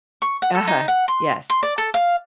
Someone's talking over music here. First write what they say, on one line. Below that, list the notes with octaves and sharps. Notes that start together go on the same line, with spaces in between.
Uh-huh, yes.
C#6
F#5
A4
D#4
F#5
C6
C6
D5
A4
F5